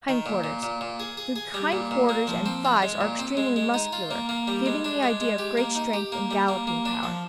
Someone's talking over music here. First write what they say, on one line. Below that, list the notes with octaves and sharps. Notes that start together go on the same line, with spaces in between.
HIND-QUARTERS--The hind-quarters and thighs are extremely muscular, giving the idea of great strength and galloping power.
D#3
A#2
A#2
A#2
A#2
G#4
G#4
G#4
G3
A#2
A#2
A#3
F3
C4
F4
G#3
A#2
C4
G#3
G#3
D#4
F4
A#3
A#3
G3
G#3
D4
G#3
G#3
G4
A#3
D#4
G4
A#3
G3
A#3
A#3
D4
F3